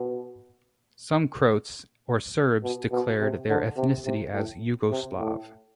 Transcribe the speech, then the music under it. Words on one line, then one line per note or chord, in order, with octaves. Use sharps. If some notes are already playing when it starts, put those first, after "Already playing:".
Some Croats or Serbs declared their ethnicity as Yugoslav.
Already playing: B2
B2
B2
C3
D3
C3
C3
A2
C3
A2